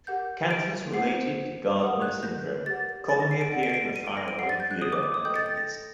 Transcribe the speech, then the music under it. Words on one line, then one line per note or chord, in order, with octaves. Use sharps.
Cancers related to Gardner syndrome commonly appear in the thyroid, liver and kidneys.
G4 A#4 F#5 G6
D7
C5 F#5 C7
G4 A#4 F#5 D#6
F#6
G6
G4 A#4 F#5 A6
A6
A#6
C7
D7
A4 D5 F#5
D7
C7
D7
D#7
D7
A#6
D7
G4 D5 F#5 C7
A6
G6
F#6
D#6
D6
D6
D#6
A4 D#5 G5 G6
A6
A6
A#6